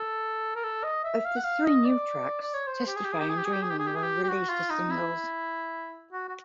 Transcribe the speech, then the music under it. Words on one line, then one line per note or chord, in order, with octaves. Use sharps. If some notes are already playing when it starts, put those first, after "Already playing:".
Of the three new tracks, "Testify" and "Dreaming" were released as singles.
Already playing: A4
A#4
A4
D#5
E5
F5
F#5
F5
D#5
D5
D5
C#5
C5
G4
G#4
G4
G#4
G4
G#4
G4
G#4
G4
G#4
G4
G#4
G4
G#4
G4
G4
F#4
F4
D#4
E4
F#4
F#4